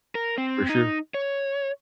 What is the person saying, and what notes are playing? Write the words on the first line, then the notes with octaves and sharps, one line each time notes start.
For sure.
A#4
C4
D#4
C#5